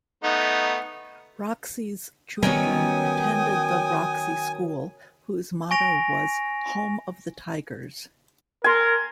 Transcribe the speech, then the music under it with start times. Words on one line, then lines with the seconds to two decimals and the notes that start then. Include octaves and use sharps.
Roxie's children attended the Roxie School, whose motto was "Home of the Tigers".
0.23 A3 B3 D#4
2.43 D#3 F#3 G3 B3 C#4 G5 G#5 D#6
5.71 G#5 C#6 A#6 D7 F7
8.64 A#4 G#5 C6